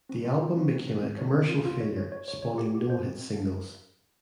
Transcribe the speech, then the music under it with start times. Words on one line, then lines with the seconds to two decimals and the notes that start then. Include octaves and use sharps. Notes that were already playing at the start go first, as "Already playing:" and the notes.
The album became a commercial failure, spawning no hit singles.
0.09 C4
0.25 F4
0.41 F4
0.56 C4
0.72 C4
0.87 C4
1.03 C4
1.18 C#5
1.33 C4
1.49 F4
1.65 F4
1.81 C#5
1.97 C#5
2.12 C#5
2.28 C#5
2.42 C#5
2.58 G4
2.75 G4
2.90 C5
3.05 C4